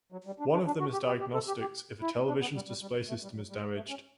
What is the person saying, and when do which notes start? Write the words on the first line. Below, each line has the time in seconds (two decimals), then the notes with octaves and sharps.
One of them is diagnostics if a television's display system is damaged.
0.12 F#3
0.26 G3
0.40 D4
0.53 D4
0.67 D4
0.80 F#4
0.93 G4
1.06 G4
1.20 G4
1.34 A4
1.48 G4
1.61 G4
2.02 E4
2.28 D4
2.41 B3
2.55 G3
2.69 G3
2.82 G3
3.09 A3
3.23 G3
3.36 F#3
3.50 G3
3.76 A3
3.90 C#4